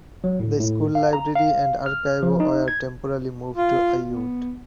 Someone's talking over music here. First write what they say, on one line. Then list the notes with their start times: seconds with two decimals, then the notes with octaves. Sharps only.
The school library and archive were temporarily moved to Aiud.
0.24 F#3
0.40 A2
0.60 A2
0.95 F5
1.13 A#5
1.35 F5
1.86 F6
2.23 F3
2.40 D#4
2.68 G#6
3.55 F4
4.09 B3